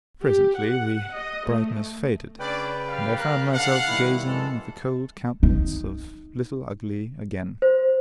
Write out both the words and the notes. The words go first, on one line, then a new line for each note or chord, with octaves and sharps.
Presently the brightness faded, and I found myself gazing at the cold countenance of Little Ugly again.
G4
F#5
D#5
A3
C#3 C#4 D4 B4 D5 G5
G3 F5
A#4 F#6
C#3 D4 F5 F#5
D#3 G3 E4
F#2 E3 G#3 A4
D#4
C5